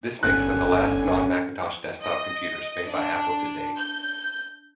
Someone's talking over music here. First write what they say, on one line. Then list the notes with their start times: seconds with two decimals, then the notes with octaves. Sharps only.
This makes them the last non-Macintosh desktop computers made by Apple to date.
0.23 G1 D3 C#4 G#5 F#6
2.02 D#5
2.87 D4
3.77 G6